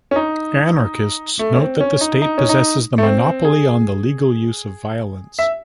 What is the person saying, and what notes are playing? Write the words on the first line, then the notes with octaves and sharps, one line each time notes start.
Anarchists note that the state possesses the monopoly on the legal use of violence.
C#4
D#4
A3
C#4
C4
C#4
D#4
D#4
C#4
D#4
A3
C4
G#4
E5